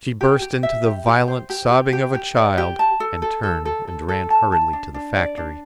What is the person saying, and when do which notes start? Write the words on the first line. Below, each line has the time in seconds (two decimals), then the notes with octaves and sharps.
She burst into the violent sobbing of a child, and turned and ran hurriedly to the factory.
0.21 G4
0.42 G4
0.63 E5
0.85 G4
1.06 G4
1.28 C5
1.50 G4
1.71 G4
1.93 G4
2.15 G4
2.37 D5
2.58 G4
2.79 A5
3.00 A4
3.22 A4
3.43 A4
3.65 A4
3.87 A4
4.09 A4
4.30 A5
4.52 A5
4.73 D4
4.94 D4
5.16 D5
5.37 D4